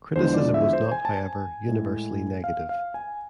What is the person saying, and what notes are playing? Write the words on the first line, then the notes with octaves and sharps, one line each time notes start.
Criticism was not, however, universally negative.
E2 D3 F3 G#3 C5
D5
E5
C5
G#5
A5
G#5
A2 G#3
F5
F5
G#5